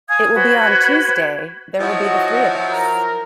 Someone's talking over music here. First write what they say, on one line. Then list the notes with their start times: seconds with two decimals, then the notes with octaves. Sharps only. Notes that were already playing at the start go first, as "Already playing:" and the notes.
It will be on Tuesday; there will be the three of us.
0.09 F5 G#5 D#6 G#6
0.33 F#4 B4 C5
1.80 F3 F#3 E4 F#4 D#5
2.71 A#4